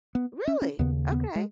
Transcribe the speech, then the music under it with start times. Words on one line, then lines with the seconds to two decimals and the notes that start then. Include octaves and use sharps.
Really? Okay.
0.15 B3
0.47 C#4
0.62 C#4
0.79 D#2 C#3 B3
1.12 B3
1.35 G#3